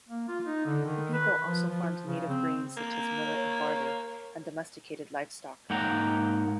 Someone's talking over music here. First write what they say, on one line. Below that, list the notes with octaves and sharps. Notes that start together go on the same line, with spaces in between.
The people also farmed native grains such as millet and barley, and domesticated livestock.
A#3
F4
D#4
D3
D#3
B4
F3
F3
C#3
C4
A#3
C#5
G#2 A#3 F#5 G5 A#5